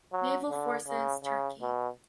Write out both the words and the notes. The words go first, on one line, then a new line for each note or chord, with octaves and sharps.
Naval Forces, Turkey.
F#3
D3
C#3
C#3
B2